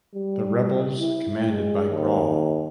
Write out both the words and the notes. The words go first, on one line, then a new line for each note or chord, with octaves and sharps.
The rebels commanded by Gral.
G3
E4
G#3
D#2